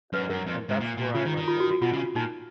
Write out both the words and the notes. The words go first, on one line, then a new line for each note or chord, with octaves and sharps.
And and that's where I like to hang out,
F#2 B4
F#2 A#4
F2
G#2
A#2
A#2
C#3 F4
D#3
D#3
F4
F#4
F#4
B2 F4
C#3
A#2 D#4